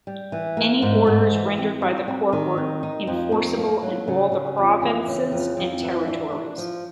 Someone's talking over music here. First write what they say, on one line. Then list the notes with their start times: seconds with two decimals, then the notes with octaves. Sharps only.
Any orders rendered by the court were enforceable in all the provinces and territories.
0.07 G3
0.32 E3
0.57 A#3
0.82 G#2
1.07 G#2
1.32 E3
1.58 C4
1.82 G3
2.08 C4
2.33 D#3
2.57 C4
2.83 D#4
3.07 F2
3.32 A#3
3.58 A#3
3.82 F#3
4.08 C#3
4.32 C#3
4.58 F2
4.82 E3
5.08 C#3
5.32 F2
5.57 F2
5.82 E3
6.07 D4
6.32 D4
6.58 F3